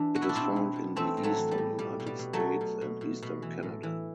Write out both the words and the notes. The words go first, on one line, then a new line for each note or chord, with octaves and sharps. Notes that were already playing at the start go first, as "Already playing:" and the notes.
It is found in the eastern United States and eastern Canada.
Already playing: E3 D4
B2 F#4
E4
D4
B2 C4 E4
B2
B2
E3 A3 C4
A2
F#3 A3
E3
G3
A2
B2 G3
B2
G3
B2
F#3 A3
B2
B2
B2
B2
B2
E3
A2
E3